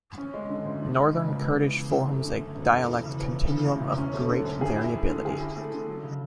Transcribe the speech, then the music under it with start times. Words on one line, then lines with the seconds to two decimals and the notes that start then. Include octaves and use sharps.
Northern Kurdish forms a dialect continuum of great variability.
0.18 C#4
0.34 G#3
0.49 D3
0.65 D2
0.81 D4
0.97 G#3
1.13 C#3
1.28 C#2
1.44 B3
1.61 E3
1.75 C#3
1.91 F#2
2.08 A3
2.24 D3
2.39 D2
2.55 E1
2.70 A3
2.87 E3
3.03 C#3
3.19 E2
3.35 E3
3.50 C#3
3.66 D2
3.82 E1
3.98 C#4
4.13 A3
4.29 D3
4.45 F#2
4.61 G#4
4.76 E4
4.92 A3
5.09 D3
5.25 G#4
5.41 E4
5.56 A3
5.72 D3
5.88 F#3
6.04 C#3